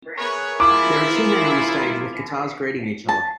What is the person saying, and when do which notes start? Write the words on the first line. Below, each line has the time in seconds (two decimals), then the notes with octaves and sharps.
There are two men on a stage with guitars greeting each other.
0.18 B3 G#4 A#4 B4 C#5 E5
0.60 E4 F4 D6
3.09 A5